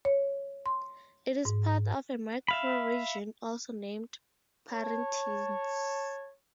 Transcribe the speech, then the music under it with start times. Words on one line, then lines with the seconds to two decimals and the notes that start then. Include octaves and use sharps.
It is part of a microregion also named Parintins.
0.05 C#5
0.66 C6
1.45 G#2
2.48 E5 F5 B5
4.70 C#5 A5